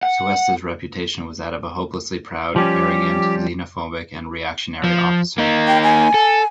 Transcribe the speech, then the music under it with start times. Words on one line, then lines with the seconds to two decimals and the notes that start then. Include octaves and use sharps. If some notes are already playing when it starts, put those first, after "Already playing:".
Cuesta's reputation was that of a hopelessly proud, arrogant, xenophobic, and reactionary officer.
0.03 F#5
2.56 F3 G3 C#4 G4
4.84 F3
5.38 A#3 D#4
5.68 G5
5.83 G#5
6.14 A4